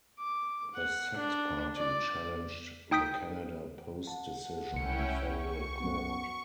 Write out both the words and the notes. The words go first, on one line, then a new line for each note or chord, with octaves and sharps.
The Sex Party challenged the Canada Post decision in federal court.
D6
F#5
D4
D5
D#4 G5 D#6 G6 B6 D7
F#5 A5
C2 C#4 E4 G5 C#7
C#6
F#2 B3 F#5